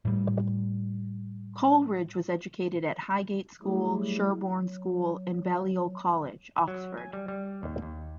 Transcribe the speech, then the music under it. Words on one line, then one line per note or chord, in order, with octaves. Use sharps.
Coleridge was educated at Highgate School, Sherborne School and Balliol College, Oxford.
A2 G3
F#3 G3 A3 E4 G4 G#4
F#3
F#3
G#5
G3
G3
D#2
D#2